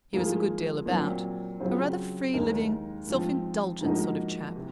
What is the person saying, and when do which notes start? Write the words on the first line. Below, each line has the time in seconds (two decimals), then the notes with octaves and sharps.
He was a good deal about--a rather free-living, self-indulgent sort of chap.
0.13 G#2 F3 A#3 F4 G#4
0.86 A#2 F#3 C4
1.60 C#3 F#3 C4 F4 C5
2.33 D#2 D#3 G#3 D#4 A#4
3.07 G#2 F3 C4
3.81 G#2 F3 A#3 D#4 F#4
4.56 C3